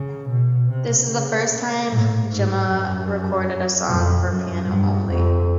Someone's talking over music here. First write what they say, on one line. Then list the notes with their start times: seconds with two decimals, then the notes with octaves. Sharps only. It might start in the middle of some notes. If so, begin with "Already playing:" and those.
This is the first time Gemma recorded a song for piano only.
Already playing: C#3
0.29 B2
0.69 C3
1.09 C#3
1.89 A2
2.29 G#2
2.68 F#2
3.88 F2
4.28 F#2
4.68 G2
5.08 F2